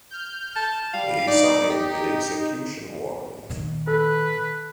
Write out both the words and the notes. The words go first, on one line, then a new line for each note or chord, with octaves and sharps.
He signed the execution warrant.
F6 G6
A5
G3 F5
D#4 D5
G4
A#2 D#3
A4 B4